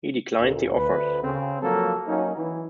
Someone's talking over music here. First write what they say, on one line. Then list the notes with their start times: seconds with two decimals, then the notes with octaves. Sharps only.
He declined the offers.
0.40 D2 A#2
0.77 D2 B4
1.23 C#3 C4
1.62 F3 F#3 A#3 A4
2.07 F#3 A#3 C#4 D#4
2.36 E3